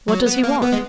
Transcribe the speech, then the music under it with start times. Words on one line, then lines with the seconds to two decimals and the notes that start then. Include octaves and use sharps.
"What does he want?"
0.08 F#3
0.26 B3
0.43 A#3
0.62 B3
0.72 G#3